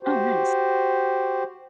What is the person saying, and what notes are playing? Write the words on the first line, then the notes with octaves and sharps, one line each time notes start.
Oh, nice.
F#4 G4 C5